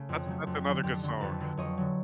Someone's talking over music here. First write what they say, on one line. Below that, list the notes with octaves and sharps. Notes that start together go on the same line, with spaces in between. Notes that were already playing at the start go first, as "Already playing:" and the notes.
That's that's another good song.
Already playing: C#3 A3
F2
C#3 F#3 A3
F2
D3 F#3
F2 G4 A4
D3 F#3
F2 A4 B4
D3 F#3
F2 C#5 D#5
D3 F#3